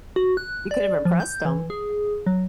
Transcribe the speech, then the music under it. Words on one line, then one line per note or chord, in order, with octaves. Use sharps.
You could've impressed 'em.
F#4
F#6
D5
F3
G6
E3
G#4
F#3